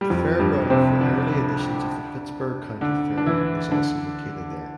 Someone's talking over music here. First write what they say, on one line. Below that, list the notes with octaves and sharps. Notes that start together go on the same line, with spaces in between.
A fairground for early editions of the Pittsburg County Fair was also located there.
G3
F2 F3
G2 G3
C3 C4
D3 D4
D3 D4
D4
E3 E4
D3 D4